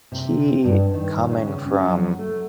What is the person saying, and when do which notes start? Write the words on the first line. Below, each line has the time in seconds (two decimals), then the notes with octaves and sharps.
he coming from,
0.12 C3
0.64 G2
0.94 D#3
1.31 C#3
1.66 C#4
1.85 F#3
2.19 A3